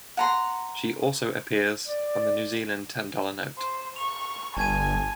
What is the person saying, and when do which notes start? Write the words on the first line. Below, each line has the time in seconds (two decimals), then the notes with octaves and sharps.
She also appears on the New Zealand ten-dollar note.
0.17 F#5 A#5 C6
1.88 D5
3.58 C5
3.96 C#6 F7
4.57 G1 G#5 A5 G#6 D#7